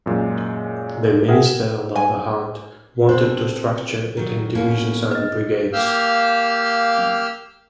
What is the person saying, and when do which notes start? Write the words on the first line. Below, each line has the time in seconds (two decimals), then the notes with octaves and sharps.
The minister, on the other hand, wanted to structure it in divisions and brigades.
0.06 F#2 A#2 G#3
1.28 G#4 A#4 E5 F#5 G5
1.46 E7
1.95 G#5
3.09 C4 A4 C5 C6
4.17 D#3 F#3
4.55 B2 A#3 C#4
5.11 B4 D#5
5.73 A#3 G4 F5 E6 F6 G6